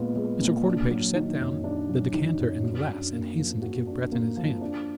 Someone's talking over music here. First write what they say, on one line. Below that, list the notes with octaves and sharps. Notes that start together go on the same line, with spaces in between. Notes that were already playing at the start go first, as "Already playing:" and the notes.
Mr. Quarterpage set down decanter and glass and hastened to give Breton his hand.
Already playing: A#2 G#3 B3 F4
G#3
A#2
D4
F#3
D#3
F#2
D4
F#3
D#3
F#2
F#4
D4
A#3
F3
F#4
D4
A#3
F3
D4